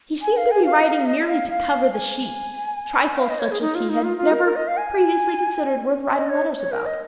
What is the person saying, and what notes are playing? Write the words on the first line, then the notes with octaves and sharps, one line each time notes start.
He seemed to be writing merely to cover the sheet, trifles such as he had never previously considered worth writing letters about.
G#5
F5
G#5
F5
D#5
F5
F5
G#5
F5
D#5
C#5
G#4
D#4
F4
D#4
F4
F4
A#4
A#4
D#5
F5
G#5
D#5
C#5
C#5
A#4
D#5